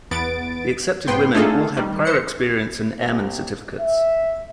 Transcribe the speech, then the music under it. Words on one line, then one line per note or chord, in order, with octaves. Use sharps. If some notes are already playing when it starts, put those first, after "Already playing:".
The accepted women all had prior experience and airman certificates.
E2 B3 A6 D7
G#2 B3 G5 C6
A3 D4 D#4 F4 G#4 A4
D#3 G3
E3 C5 C#7
C2
E5